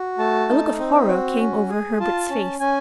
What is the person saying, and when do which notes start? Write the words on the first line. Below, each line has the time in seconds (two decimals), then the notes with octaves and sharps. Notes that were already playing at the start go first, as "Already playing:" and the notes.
A look of horror came over Herbert's face.
Already playing: F#4
0.18 A3 A5
0.49 D#4
0.79 C4
1.09 F#4
1.39 C#4
1.69 G#4
2.00 F4 A5
2.30 C#4
2.60 C#4 G#5